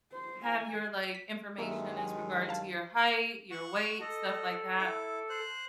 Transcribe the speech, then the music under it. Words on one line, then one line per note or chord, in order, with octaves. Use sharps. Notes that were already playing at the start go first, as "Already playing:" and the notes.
have your, like, information as regard to your height, your weight, stuff like that,
C5
G#5
B6
G2 D#3 F#3 G#3 A#3 A4 E5 A#5
G#5
F5 A5
F#5 C#6
A4 D#5
E4 D6
C5 F#6